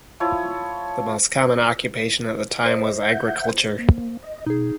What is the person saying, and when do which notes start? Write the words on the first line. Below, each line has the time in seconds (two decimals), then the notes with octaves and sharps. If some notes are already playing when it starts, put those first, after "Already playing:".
The most common occupation of the time was agriculture.
0.20 F3 E4 C#5
2.66 C5 D#5
3.03 E5 F#5 G6
3.79 A#3
4.23 D#5
4.46 B2 D#4 G#4